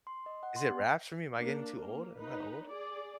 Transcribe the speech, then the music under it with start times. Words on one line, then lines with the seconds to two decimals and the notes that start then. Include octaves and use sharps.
"is it wraps for me? Am I getting too old? Am I old?"
0.07 C6
0.26 D#5
0.43 F#5
0.56 C6
0.70 B3
1.38 A#3 D4
1.78 A#3
2.18 D#4 B4
2.68 G#4 D5